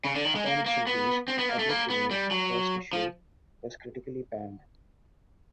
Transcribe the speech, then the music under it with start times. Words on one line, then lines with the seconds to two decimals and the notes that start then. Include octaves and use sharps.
Upon its release, "Public Image: First Issue" was critically panned.
0.05 C#3
0.15 D3
0.25 D#3
0.36 G#3
0.46 A#3
0.66 A#3
0.87 B3
1.28 C4
1.39 B3
1.49 A#3
1.59 A3
1.69 A#3
1.90 B3
2.11 G3
2.31 F#3
2.93 F3